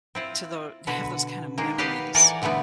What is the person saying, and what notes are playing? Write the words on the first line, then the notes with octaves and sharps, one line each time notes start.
to the have those kind of memories.
C4 E4 F4
B2 D3 F#4 B4
D#3 G#3 A#3
G4 B4 D#5 F5 F#5 A5
E3 A4 A#4 D5 F#5 G#5
B2 D3 G3 A3 B3